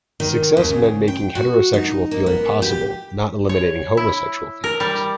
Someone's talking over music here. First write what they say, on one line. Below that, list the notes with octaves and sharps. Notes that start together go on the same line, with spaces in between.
Success meant making heterosexual feeling possible, not eliminating homosexual feelings.
D#3
D#2
C#3
G5
F#4
D#4
A#3
B3
G4
C#5
E4
A#4
G3